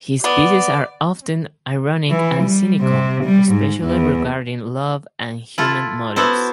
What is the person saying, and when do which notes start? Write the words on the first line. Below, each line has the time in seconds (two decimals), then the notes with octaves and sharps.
His pieces are often ironic and cynical, especially regarding love and human motives.
0.24 B3 D5
2.09 E3
2.43 G3
2.80 C3
3.24 G3
3.52 G#2
3.85 E2
5.58 E4 F4 A4
6.16 B3 E4 F#4 A4 C5